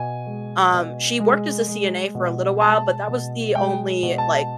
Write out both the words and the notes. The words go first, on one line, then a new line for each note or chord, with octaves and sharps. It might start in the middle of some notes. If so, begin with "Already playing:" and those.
um, she worked as a CNA for a little while, but that was the only, like,
Already playing: B2 G#5
G#3
B2
G#3
G#3
B2
G#3 A5
B2
G#3 G5
B2
A5